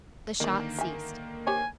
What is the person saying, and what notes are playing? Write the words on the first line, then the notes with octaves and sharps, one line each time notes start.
The shots ceased.
D3 D#3 A#3 D5 D#5
E5 G#5
G4 C5 C#5 G#5